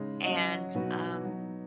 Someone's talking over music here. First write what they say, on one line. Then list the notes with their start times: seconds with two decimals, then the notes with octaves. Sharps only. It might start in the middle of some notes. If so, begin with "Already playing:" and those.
and, um,
Already playing: C#3 G#3 D#4
0.25 F#3 C#4 F#4 D#5
0.75 B2 F#3 D#4 F#4 B4
1.25 F#3 B3 D#4